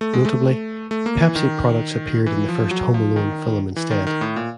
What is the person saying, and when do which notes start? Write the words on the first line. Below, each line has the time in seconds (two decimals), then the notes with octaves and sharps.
Notably, Pepsi products appeared in the first "Home Alone" film instead.
0.01 A3
0.13 G#3
0.25 A3
0.91 A3
1.06 A#3
1.21 E3
1.35 D#3
2.26 E3
2.49 F3
2.71 F#3
2.94 F3
3.16 D#3
3.76 E3
3.91 D#3
4.07 D#3
4.21 A2
4.36 A#2